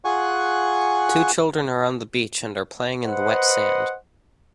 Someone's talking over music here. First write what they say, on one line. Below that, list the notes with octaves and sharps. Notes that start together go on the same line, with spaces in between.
Two children are on the beach and are playing in the wet sand.
F4 G#4 F#5 G#5 C#6 F#6
B4 C5 D#5 F#5